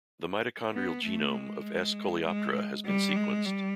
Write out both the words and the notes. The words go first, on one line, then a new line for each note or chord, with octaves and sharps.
The mitochondrial genome of "S. coleoptrata" has been sequenced.
B3
A3
G#3
G#3
G3
G#3
G3